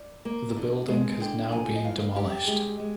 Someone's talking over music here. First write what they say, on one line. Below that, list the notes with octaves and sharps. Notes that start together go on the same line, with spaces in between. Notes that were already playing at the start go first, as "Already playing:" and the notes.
The building has now been demolished.
Already playing: D5
A#3
D3
G#3
D3 G5
F3 G#5
D#5
G2 F5
G2 G4
G#3 G4
G#3